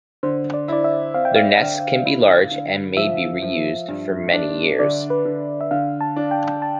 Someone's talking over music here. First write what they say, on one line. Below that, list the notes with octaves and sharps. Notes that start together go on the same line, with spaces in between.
Their nests can be large and may be reused for many years.
D3 C5
D5
E4 D5
E5
C4 F5
G5
F5
D3
E4
D3
F3 E5
F3
G2
D4
D3 D5
B4
D3
E5
D3 F5
A5
D4
G5
A5